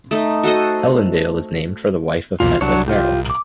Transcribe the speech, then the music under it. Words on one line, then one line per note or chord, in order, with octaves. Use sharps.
Ellendale is named for the wife of S. S. Merrill.
A3 D#4
F#4 A4 C5 D#5
B1 E2 A#2 F4
C2 F#3 D4 C#5
F4 G4
D6